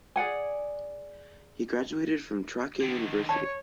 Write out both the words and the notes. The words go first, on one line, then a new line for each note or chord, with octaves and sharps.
He graduated from Trakya University.
G#4 D5 F#5 G#5
D3 D#3
C#5 A5